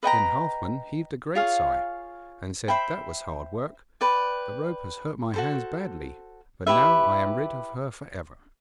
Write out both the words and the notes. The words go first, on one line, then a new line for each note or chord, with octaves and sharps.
Then Halfman heaved a great sigh and said, 'That was hard work; the rope has hurt my hands badly, but now I am rid of her for ever.'
B4 D#5 G5 A#5
F4 G#4 C#5 F5
C5 E5 G5 B5
B4 D5 G5
F#4 A4 C5
E4 G4 B4 E5